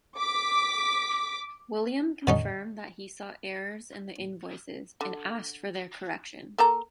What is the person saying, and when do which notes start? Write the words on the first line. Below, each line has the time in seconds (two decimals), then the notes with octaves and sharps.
William confirmed that he saw errors in the invoices and asked for their correction.
0.17 D6 B6
2.27 D3 C#4 D#4
5.01 D3
6.58 A#3 A4 A#5